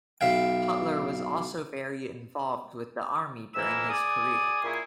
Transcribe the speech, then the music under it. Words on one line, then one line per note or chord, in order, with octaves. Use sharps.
Cutler was also very involved with the Army during his career.
B1 E5 F5 G5
F2 E3 A#3 E4 E6
G#4 D5 G#5 D#6
A#2 C#4 E4 G#4